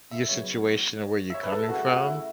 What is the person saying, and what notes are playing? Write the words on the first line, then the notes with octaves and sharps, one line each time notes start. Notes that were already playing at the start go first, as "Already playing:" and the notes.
your situation and where you're coming from,
E5
C#3 F#3 B3 C#5
E5
C#5
B4
A4
E4
C#3 A3 C#4 F#4
F#4
E4